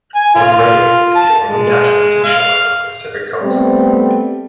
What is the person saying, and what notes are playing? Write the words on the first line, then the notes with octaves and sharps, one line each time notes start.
Point Reyes is the only national seashore on the Pacific coast.
G#5
F4
A5
G#3
F5
G3 A3 B3 C4